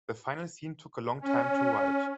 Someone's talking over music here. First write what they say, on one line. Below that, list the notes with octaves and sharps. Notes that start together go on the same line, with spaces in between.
The final scene took a long time to write.
C#4